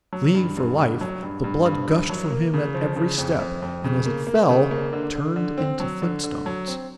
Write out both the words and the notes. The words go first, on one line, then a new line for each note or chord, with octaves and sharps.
Fleeing for life, the blood gushed from him at every step, and as it fell turned into flint-stones.
F#3
G2
G2
G2
F#3
G2
G2
G2
G2
F#3
A#3
C#3
F3
C#3
F2
F2
F2
C#3
A#3
A#3
C#3
A#3
D3
D3
D3
C4
F#3
D3
D3
F#3
C4